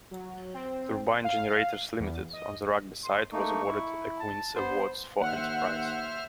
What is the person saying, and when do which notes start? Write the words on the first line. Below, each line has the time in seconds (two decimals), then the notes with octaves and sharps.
Turbine Generators Limited, on the Rugby site, was awarded a Queen's Awards for Enterprise.
0.11 F#3
0.54 C4
1.24 F5
2.00 E2
2.33 D#5
3.03 C6
3.33 A3 A#3 D#4 C#6
3.67 E4
4.20 A5
4.56 B3 C5
5.21 D#2 C5 E5 F#5 F6